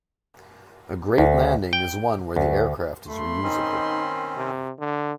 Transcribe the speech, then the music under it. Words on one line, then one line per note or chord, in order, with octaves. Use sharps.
A great landing is one where the aircraft is reusable.
D2
G5
D2
A3 A#3 B5 C6
D#3 C4 C#4 D#4
C3
D3